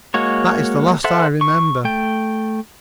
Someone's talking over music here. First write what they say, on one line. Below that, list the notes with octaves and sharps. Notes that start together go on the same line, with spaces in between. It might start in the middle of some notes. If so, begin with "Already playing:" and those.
That is the last I remember.
G#3 A#3 F#4 C#5
A4 C5 E5 F#5
C#6
A3 G5